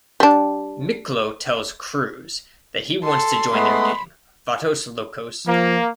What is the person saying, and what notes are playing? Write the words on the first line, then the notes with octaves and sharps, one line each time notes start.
Miklo tells Cruz that he wants to join their gang "Vatos Locos".
G3 D4
A4 C6
G#3 A3 B3 B5
F3 A#3